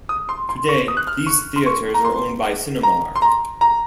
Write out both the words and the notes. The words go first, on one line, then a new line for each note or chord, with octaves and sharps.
Today these theatres are owned by Cinemark.
D#6
C6
C6
C#6
D#6
F#6
F6
C#6
C6
C#6
A#5
C6
A#5
C6
A#5
A#5